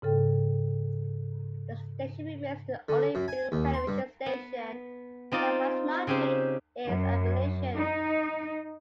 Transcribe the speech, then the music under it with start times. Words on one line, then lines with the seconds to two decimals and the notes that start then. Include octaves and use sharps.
The station remains the only Billings television station that has not changed its affiliation.
0.02 G#2 C#3 A4 G5
2.89 D3
3.15 F#2
3.28 G#5
3.52 D#2
3.74 C6
3.87 G2
4.26 B3
5.32 C4 D#4 F4 D5
6.07 C#3 C4 D#4 G4 C5
6.86 F#2
7.75 D#4